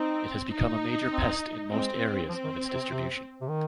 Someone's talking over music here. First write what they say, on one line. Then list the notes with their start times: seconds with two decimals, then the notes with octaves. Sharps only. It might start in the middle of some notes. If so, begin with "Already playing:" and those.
It has become a major pest in most areas of its distribution.
Already playing: C4 D#4
0.51 D#4
1.11 C4
1.70 G#3 C4
2.29 F3 C4
2.44 D#3
2.74 C3
2.89 C3
3.42 C3
3.48 D#3